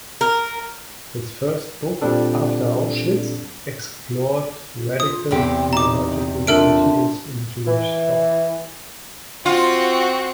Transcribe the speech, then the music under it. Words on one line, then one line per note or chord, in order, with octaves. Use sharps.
His first book, "After Auschwitz", explored radical theological frontiers in Jewish thought.
A#4
A#2 G3 C4 D4 A4
F4 D#6
E2 C3 G4 G5
D#4 A#5 D6
A3 D4 F4 A#4 F6 D7
E3
C4 F4 F#4